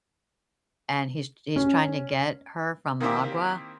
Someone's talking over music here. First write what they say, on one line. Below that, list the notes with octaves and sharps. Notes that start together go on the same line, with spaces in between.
and he's he's trying to get her from Magua,
C#4
D#3 A#3 C4 E4 G4